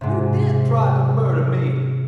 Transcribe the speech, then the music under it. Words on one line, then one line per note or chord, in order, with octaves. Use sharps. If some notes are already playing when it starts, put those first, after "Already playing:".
"You did try to murder me!"
G#2 C3